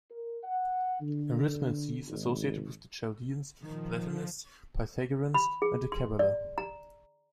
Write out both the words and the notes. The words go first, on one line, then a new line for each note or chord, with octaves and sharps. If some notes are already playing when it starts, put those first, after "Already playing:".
Arithmancy is associated with the Chaldeans, Platonists, Pythagoreans, and the Kabbalah.
A#4
F#5
D3
G#1
A#2 D#3 F3
B5
G#4
C6
D5
A#5